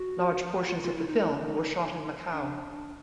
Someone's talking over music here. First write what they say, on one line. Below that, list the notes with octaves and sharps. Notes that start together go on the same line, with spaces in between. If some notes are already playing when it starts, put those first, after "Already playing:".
Large portions of the film were shot in Macau.
Already playing: F#4
F4
F4
E4
D#4
D4